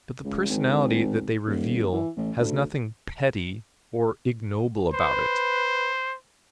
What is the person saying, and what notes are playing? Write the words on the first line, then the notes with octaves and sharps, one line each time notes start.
But the personality that they reveal has nothing petty or ignoble about it.
C#2
G#1
D#1
E3
A1
D2
B4 C5